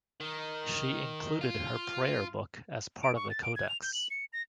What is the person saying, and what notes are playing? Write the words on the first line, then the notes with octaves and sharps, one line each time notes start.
She included her prayer book as part of the codex.
D#3
F4
D7
C#6
A6
D7
G#6
F7
G6
F#7
C#7
A#6